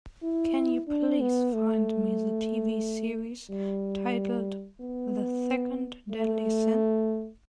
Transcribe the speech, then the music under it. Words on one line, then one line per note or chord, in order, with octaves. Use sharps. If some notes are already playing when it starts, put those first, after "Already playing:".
Can you please find me the TV series titled The Second Deadly Sin?
E4
D4
B3
A3
G3
B3
A3